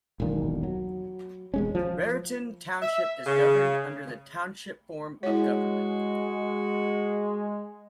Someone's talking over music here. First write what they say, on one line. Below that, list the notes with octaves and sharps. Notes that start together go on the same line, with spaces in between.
Raritan Township is governed under the Township form of government.
E1 B1 A#2 D#3
F#3
E1 G#3 C#4
F3
E5
C#3
G#3 E4 F#4 C#5